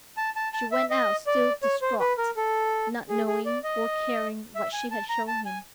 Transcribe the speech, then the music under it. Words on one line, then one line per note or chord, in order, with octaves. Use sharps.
She went out still distraught, not knowing or caring what she had shown him.
A5
A5
A5
E5
D#5
D5
C#5
C5
B4
A#4
A4
G#4
G#4
D5
D#5
E5
G#5
A5
A#5
A5
G#5